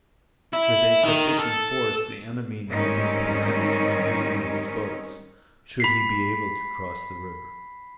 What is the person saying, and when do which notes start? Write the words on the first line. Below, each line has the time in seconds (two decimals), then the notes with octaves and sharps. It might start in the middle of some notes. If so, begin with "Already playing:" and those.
With a sufficient force, the enemy may be prevented from leaving his boats, should he be able to cross the river.
0.53 E4
1.04 D#3
1.39 A4
2.68 G#2 D#3 G3 C4 C#4 D#4
5.80 B5 B6 C7